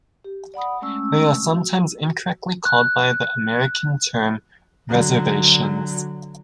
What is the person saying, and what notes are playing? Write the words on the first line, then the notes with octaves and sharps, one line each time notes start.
They are sometimes incorrectly called by the American term "reservations".
G4
D5 F#5 B5 D#6
G#3 A3 C#4 E6
F#4
F#6
D3 F#3